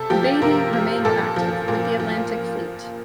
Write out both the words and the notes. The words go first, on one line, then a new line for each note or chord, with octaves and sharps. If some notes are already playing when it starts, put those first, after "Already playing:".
"Beatty" remained active with the Atlantic Fleet.
Already playing: C3 A4
F3 G4
C3 A#4
F3
A#2 A4
F3
A#2
F3